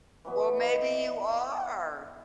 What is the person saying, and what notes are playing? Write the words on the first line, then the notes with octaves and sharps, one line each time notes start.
Well, maybe you are.
E3 F#3 B3
D#5 E5 G5
D5